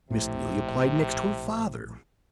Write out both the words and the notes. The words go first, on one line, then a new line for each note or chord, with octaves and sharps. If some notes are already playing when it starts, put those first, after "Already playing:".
Miss Neelie applied next to her father.
A#1 A2 C3